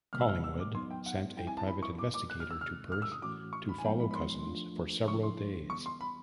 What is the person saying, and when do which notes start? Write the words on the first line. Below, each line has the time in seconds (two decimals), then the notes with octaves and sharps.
Collingwood sent a private investigator to Perth to follow Cousins for several days.
0.13 C3 D#3 G3 A#3 F6
0.21 E6
0.28 F6
0.44 E6
0.60 D6
0.75 F#3 B3 D#4 C6
0.90 G5
1.06 F#5
1.37 G3 C4 E4 G5
1.47 G#5
1.57 A5
1.68 B5
1.83 C#6
1.98 G3 A#3 D#4 F#4 D6
2.14 D6
2.30 F#6
2.40 F6
2.51 E6
2.60 C3 D#3 G#3 C4 F6
2.92 F6
3.02 E6
3.12 D#6
3.22 A2 E3 A3 C#4 F#4 D6
3.53 C#6
3.69 B5
3.78 G#5
3.84 F3 G#3 B3 D#4 G5
4.00 B5
4.11 B5
4.15 C6
4.46 F3 A3 D4 F4
5.08 C#3 F3 A3 D4 C#6
5.23 C6
5.69 E3 G3 B3 C#6
5.86 C6
6.01 B5